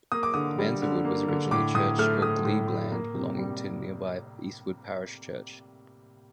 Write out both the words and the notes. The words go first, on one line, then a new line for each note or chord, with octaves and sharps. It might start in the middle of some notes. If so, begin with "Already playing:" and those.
Mansewood was originally Church or 'Glebe' land belonging to nearby Eastwood Parish Church.
A#3 D#6
D6
D3 D#6
G3
D3
A#3
D3
A2 D6
A2 D#6
A3 F6
A3 D#6
A2
A2
A#3
C3
G3